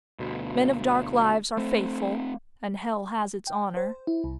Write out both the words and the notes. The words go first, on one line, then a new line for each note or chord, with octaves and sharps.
Men of dark lives are faithful, and hell has its honour.
D2 B2
A3 C4
G5
C5
E4
C2